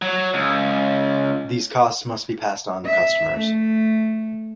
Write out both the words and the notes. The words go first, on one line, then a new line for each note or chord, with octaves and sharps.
These costs must be passed on to customers.
F#3
C#2
E5
A3